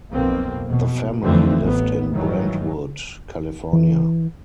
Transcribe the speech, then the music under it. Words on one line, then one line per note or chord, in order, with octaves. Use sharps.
The family lived in Brentwood, California.
B1 F2 B2 A#3 C4
B2
F2 D3 E3 F3 A3 C4
A1 A2 B3
G2 D#3 E3 F#3
E3